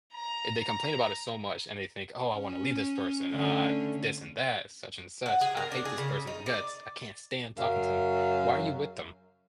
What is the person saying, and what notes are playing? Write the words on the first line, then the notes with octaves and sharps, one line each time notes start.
and they complain about it so much and they think, "Oh, I wanna leave this person, uh this and that, such and such, I hate this person's guts. I can't stand talking to 'em." Why are you with them?
A#5
C#4
D3 A3 C#4
F#5
G#4
A#4
D4
G#4
C#3
D#4
D5
F#2 C#3 F#3 F5